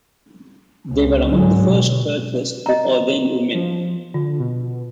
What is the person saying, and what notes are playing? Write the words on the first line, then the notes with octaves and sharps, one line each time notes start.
They were among the first churches to ordain women.
C#2
G#2 D3 F#3 G#3
B2
D#5 A#5
F3
D3 F4
B2